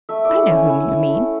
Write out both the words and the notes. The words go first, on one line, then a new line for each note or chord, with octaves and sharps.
I know whom you mean.
A3 E5
E4 D5
F#5
C#4
G#5
E4 G#5
E4
A3